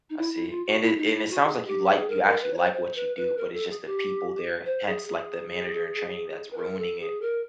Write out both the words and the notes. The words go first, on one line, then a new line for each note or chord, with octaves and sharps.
I see. And it and it sounds like you like you actually like what you do, but it's just the people there- hence, like, the manager-in-training that's ruining it,
D#4
E4
E4
F4
F#4
E4
D#4
E4
F#4
G#4
G4
G#4
A#4
A#4
B4
C#5
C5
C5
B4
B4
A#4
A4
G#4
G4
C5
G#4
G#4
B4
A#4
A4
G#4
A#4